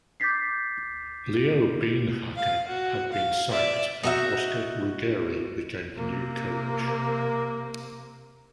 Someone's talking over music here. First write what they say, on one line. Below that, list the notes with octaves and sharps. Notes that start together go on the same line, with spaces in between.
Leo Beenhakker had been sacked and Oscar Ruggeri became the new coach.
D6 G6 A6 B6 C7
F5
F#4
F5
D5 E5
D#4 F#4 E5
C3 A#3